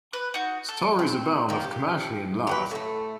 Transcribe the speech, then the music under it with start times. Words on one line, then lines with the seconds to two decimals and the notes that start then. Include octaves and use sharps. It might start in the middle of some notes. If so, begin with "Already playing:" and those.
Stories abound of Komachi in love.
0.13 B4
0.34 D#4 F#4
0.68 A4
0.99 C4
1.49 D#3 A#3
1.64 G4
2.47 F#3 G4 B4
2.71 A2 A3